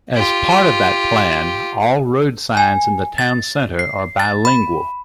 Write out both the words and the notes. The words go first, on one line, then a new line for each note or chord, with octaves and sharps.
As part of that plan, all road signs in the town centre are bilingual.
F4 G4
G#5
A6
C7
A6
B5